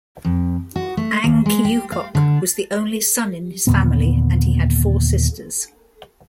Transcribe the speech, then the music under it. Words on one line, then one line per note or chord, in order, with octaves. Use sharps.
Ang Kiukok was the only son in his family and he had four sisters.
F2
F#4
A3
D#2
G#3
G4
F5
D3
D#2 A#2 D3 B3